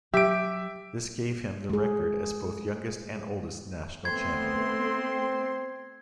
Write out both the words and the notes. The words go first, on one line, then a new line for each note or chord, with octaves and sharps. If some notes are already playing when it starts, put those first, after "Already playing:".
This gave him the record as both youngest and oldest national champion.
F#3 G4 E5 D7
G#3 G#4
A3 B3 C4 C6 G#6